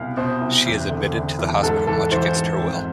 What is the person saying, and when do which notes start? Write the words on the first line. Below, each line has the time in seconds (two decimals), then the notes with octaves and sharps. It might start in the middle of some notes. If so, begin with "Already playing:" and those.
She is admitted to the hospital, much against her will.
Already playing: C2 B2 F5
0.17 B2 C5
0.42 C2
0.66 E2
0.90 D3
1.15 D3
1.39 E2
1.63 G#2 A4
1.87 E3 A4
2.12 E3 C5
2.36 G#2
2.61 F2